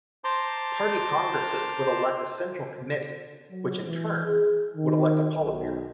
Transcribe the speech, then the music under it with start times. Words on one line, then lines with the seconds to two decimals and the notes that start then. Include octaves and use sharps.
Party Congresses would elect a Central Committee which, in turn, would elect a Politburo.
0.24 C5 A5 A#5 C6 D6
3.51 F#3
3.85 E3
4.25 G#4
4.76 D#3
5.37 B1